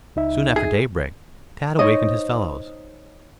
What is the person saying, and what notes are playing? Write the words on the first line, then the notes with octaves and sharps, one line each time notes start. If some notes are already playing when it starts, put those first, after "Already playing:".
Soon after daybreak, Tad awakened his fellows.
C#2 D#4 E5
G#4
D#4 C5 C#5 D#5